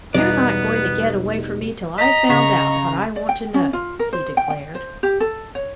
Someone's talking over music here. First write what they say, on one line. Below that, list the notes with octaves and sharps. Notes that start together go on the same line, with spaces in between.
"You're not going to get away from me till I've found out what I want to know," he declared.
E2 B2 G3 B3 D#4 D5
D#5 A#5 B6
C#3 C#6 B6
D5
G5
C#4
F4
A#4
C5
G5
G5
C5
G4
A4
C#5